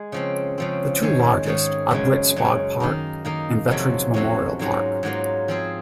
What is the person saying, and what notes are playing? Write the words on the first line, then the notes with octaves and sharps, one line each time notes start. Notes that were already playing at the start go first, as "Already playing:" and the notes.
The two largest are Brit Spaugh Park and Veteran's Memorial Park.
Already playing: G#3
C#3 F3 C4
C#3 F3 C4
G#2 D#3 G#3 C#4 G#4
G#2 D#3 G#3 C#4 G#4
F#2 C#3 G#3
F#2 C#3 G#3
D#3 A#3 D#4 A#4
D#3 A#3 D#4 A#4
F2 C3 F#3 A#3 C#4
F2 C3 F#3 A#3 C#4
G#2 F#3 A#3 F4
G#2 F#3 A#3 F4
F3 C4 F4 G#4